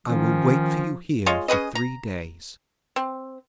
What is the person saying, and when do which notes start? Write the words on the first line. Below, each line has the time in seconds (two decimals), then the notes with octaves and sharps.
I will wait for you here for three days.'
0.07 D#3 F3 C#4
1.26 G#3 F4 C#5 D#5
1.48 C#4 G#4 B4 D#5
1.75 A#5
2.96 C4